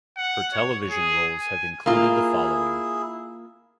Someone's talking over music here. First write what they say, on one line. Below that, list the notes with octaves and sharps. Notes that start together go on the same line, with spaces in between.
Her television roles have included the following.
F#5
C#5
G#4
G#5
A#3 E4 F4 G#4